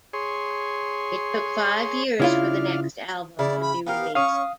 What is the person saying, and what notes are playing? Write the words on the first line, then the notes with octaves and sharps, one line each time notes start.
It took five years for the next album to be released.
G#4 C#5 C6
C#3 D4 E4 F4 F5
C#3 E4 D5
B5
B3 G4 A#4 F5
C#4 F5 C#6 D#6